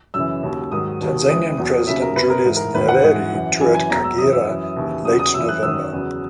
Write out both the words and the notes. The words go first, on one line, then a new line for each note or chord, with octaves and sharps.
Tanzanian President Julius Nyerere toured Kagera in late November.
F#2 C#3 E3 E6
D#2 C#3 F#3
G#2 D#3 F#3 D#6
D#2 D#3 F#3
C#2 C#3 E3 D#6
E2 B2 F#3
D#2 C#3 F#3 E5
A#4
F#2 C#3 F#3 B4
A#4
G#2 E3
A#4
E2 D#3 F#3 B4
F#5
G#2 E3
F#2 E3
F#2 E3 G#5
G#5
E2 B2 F#3 A#5
E6
F#2 E3 D#6
E6
F#2 E3
D#2 C#3 E3
E2 C#3 F#3 D#6
D#6
F#2 E3 E6
F#6
F#2 D#3 F#3 E6
E2 C#3 F#3